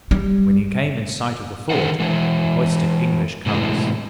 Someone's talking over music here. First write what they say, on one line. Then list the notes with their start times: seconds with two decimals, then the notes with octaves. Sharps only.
When he came in sight of the fort he hoisted English colors.
0.11 G3
1.70 D3 D#3 A#4 C5 F#5
2.00 E3 G#3
3.46 A2 C3 E3 G#3